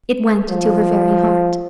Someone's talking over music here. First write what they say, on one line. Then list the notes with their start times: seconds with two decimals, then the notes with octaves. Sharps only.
It went to her very heart.
0.51 F3